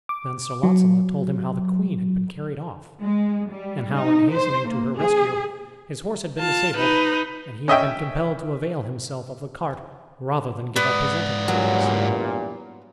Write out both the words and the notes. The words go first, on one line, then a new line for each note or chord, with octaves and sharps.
Then Sir Launcelot told him how the queen had been carried off, and how, in hastening to her rescue, his horse had been disabled and he had been compelled to avail himself of the cart rather than give up his enterprise.
D6
F#3
G#3
G3
D#4
C5
A#3
G#4
F4 A5
D#4 B4
C#4 D#5 E5 G5
G#2 B3 D5
E2 G2 A#2 F#3